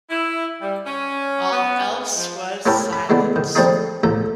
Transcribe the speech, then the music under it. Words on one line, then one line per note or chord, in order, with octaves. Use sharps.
All else was silence.
E4
G3
C#4
B3
G#2
F3
A3 C#4 E4 G4 A4 A#4
B5
E3 G#3 A3 B3 D4
D#3
F3 G3 A3 C4 D#4 G#4
A1 A3 A4 A#5